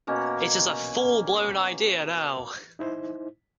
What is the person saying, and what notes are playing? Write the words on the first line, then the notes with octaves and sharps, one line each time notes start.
It is a full blown idea now.
B2 A#3 C#4 A#4
D#4 E4 C5